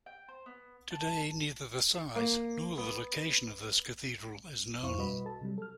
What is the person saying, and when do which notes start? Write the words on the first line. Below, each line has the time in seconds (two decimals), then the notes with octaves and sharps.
Today, neither the size nor the location of this cathedral is known.
0.06 G5
0.28 C5
0.46 B3
0.91 A5
2.16 A#3
2.78 B3
4.83 F2 E4 C5 F5 C#6
4.97 B2 G3 F#4 B4 D#5 B5
5.25 A4 A5
5.41 C3 F#3 G3
5.58 A4 F6